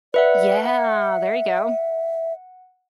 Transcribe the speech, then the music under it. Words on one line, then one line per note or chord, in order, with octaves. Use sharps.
Yeah, there you go.
B4 D5 E5 F#5
E5 F#5